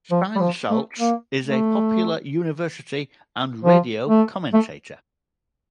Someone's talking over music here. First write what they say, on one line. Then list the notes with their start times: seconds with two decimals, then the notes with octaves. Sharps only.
Steinsaltz is a popular University and radio commentator.
0.11 F3
0.36 G3
0.40 F3
0.70 A3
0.99 A#3
1.44 A3
3.64 F3
4.09 A3
4.53 A3